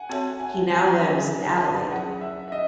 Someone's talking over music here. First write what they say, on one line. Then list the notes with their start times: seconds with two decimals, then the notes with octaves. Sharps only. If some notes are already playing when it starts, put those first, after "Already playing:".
He now lives in Adelaide.
Already playing: F#5 G#5
0.09 C4 F#4 A4 C#5 E5 A5
0.40 G#5
0.71 G#5
1.01 F#3 C#4 E4 G#4 C#5
1.91 F#3 C#4 E4 G#4 F#5
2.21 E5
2.48 E5
2.52 D#5